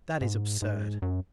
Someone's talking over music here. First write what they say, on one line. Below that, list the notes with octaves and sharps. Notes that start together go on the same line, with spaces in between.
"That is absurd."
G#2
G#2
F#2